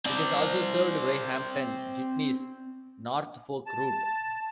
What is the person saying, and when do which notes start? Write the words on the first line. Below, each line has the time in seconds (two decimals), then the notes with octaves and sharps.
It is also served by Hampton Jitney's North Fork route.
0.06 C4 D5
3.67 A5